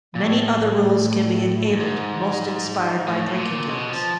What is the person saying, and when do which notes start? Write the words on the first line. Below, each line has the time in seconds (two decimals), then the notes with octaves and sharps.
Many other rules can be enabled, most inspired by drinking games.
0.15 A#2
0.23 A2
1.69 G2
1.80 G#2
3.07 A2
3.28 A2
3.38 A#2
3.69 B2
3.90 F3